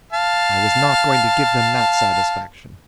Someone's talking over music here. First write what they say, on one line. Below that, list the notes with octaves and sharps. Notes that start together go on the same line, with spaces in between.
I was not going to give them that satisfaction.
F5 A5